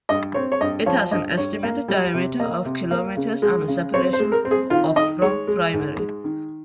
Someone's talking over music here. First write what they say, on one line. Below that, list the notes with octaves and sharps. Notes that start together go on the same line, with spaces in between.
It has an estimated diameter of kilometers and a separation of from primary.
G2 D#5
C4 C#5
C#5
G2 D#5
F3 C#5
G2 D#5
G2 C#5
A#3
G3
C3
A#3 D#5
C3
A#3
C#3
G#3
C#3
C4 C#5
C5
G#3
A#4
C4
G#4
D#3 F4
D#3 D#5
G#3 C#5
G#3
G#2
G#3
D#3